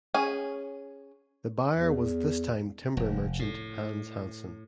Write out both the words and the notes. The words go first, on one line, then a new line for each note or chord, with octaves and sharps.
The buyer was this time timber merchant Hans Hansen.
C#4 G#4
E2
F1
A2